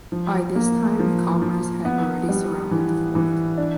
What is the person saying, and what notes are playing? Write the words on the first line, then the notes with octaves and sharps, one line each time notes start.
By this time, Chalmers had already surrounded the fort.
F3
A#3
F3
F3
B3
G3
E3
E3
D4